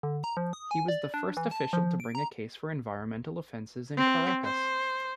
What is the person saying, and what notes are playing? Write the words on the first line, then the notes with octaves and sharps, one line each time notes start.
He was the first official to bring a case for environmental offenses in Caracas.
D3
A#5
F3
D#6
G#5
D5
D4
E3
A5
F3
D7
A#5
C4
C5